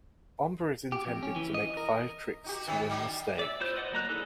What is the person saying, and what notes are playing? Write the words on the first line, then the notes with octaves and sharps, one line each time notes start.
Ombre is intended to make five tricks to win the stake.
G4
F2
C#4
E3
D#5
A#4
D#4 F#4 G4
D#3 B3 C#4
F#3 D#4
D5 E5
E4 F4 C5 G6
B4 D5 D#5 F#5
F#3 A#3 A#5 F#6
D#4 E4 G#4 A4